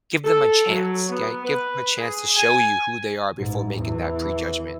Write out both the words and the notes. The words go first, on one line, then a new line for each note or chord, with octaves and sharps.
give them a chance, 'kay? Give them a chance to show you who they are before making that prejudgment.
A4
F#3
B3
B4
G#4
G#5
A1 G#2
E2 E3